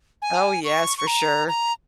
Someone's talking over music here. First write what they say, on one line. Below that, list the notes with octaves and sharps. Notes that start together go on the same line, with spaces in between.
Oh, yes, for sure.
G#5
C#6
C#6
A#5
A#5